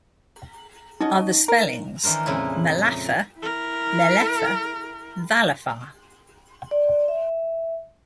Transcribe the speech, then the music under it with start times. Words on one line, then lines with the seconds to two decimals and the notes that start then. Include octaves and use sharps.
"Other spellings": Malaphar, Malephar, Valafar.
1.01 C#4 D#4 F#4 D#5
1.48 A#4
2.03 D#3 E3 D4 A#4 C5
2.26 F2 A#2 C#3 G#3 E4
2.78 A#5
3.38 E4 A#4
6.71 D5
7.08 E5